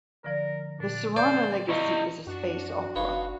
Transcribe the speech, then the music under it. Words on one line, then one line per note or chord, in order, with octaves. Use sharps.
"The Serrano Legacy" is a space opera.
D3 F3 A#4 D5
A#2 D4
C5 D5 C6 G6 A6
E4 D#5 F5 C#6
F#2 D4 F#4
F#1 D#4 B4 C#5 F5